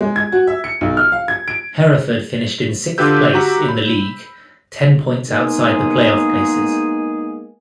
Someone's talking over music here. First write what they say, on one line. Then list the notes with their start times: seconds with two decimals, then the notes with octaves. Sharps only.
Hereford finished in sixth place in the league, ten points outside the play-off places.
0.01 G#3
0.16 G#6
0.32 F#4
0.47 E5
0.64 C#7
0.81 B1
0.97 F6
1.12 F5
1.28 G#6
1.48 D7
2.98 D3 F4 G4 B4 E6 G6
3.33 F#4 G4 A#5 B6
3.69 B5
5.28 G#3 A#3 B3 D#4 G#4